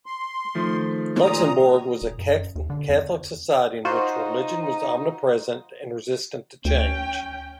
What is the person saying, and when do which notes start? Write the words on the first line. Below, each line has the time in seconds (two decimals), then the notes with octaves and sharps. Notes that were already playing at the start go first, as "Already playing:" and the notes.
Luxembourg was a Catholic society, in which religion was omnipresent and resistant to change.
0.06 C6
0.55 D#3 F3 A3
1.21 A#2 A#5 D#6
2.02 D#1
2.19 F#2
2.55 D#2
2.70 D3
2.89 F2
3.85 D#4 F4 F#4 C5
6.65 D2 C#4 G5